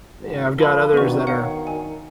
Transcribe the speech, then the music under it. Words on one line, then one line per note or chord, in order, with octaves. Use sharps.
yeah, I've got others that are
G#1
F3 A#4 B5 F#7
D#3 B3 D4 F#4 C#6 D#7
C#5 F5 F#5
G#5